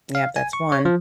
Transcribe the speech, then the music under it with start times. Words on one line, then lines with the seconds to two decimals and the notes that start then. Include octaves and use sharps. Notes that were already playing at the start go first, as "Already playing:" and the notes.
Yep, that's one.
0.15 F5
0.36 G#5
0.53 C#6
0.72 C#5
0.85 F3